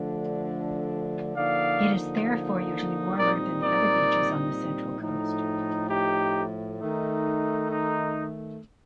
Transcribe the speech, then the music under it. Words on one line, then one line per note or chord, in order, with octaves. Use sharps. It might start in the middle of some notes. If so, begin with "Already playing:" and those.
It is therefore usually warmer than the other beaches on the Central Coast.
Already playing: D3 F3 A3 D4
D3 F3 A#3 D#4 D5 F5
A#2 G3 C4 D#4 A#4 D5
A#4 D5
A2 F3 A3 D#4
D#4 G4
D#3 A3 D#4
D#4